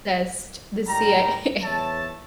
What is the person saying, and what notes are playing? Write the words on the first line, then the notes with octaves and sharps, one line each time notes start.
sessed The CIA A
A2 D#3 G3 A#5
E2 C#5 E5 A5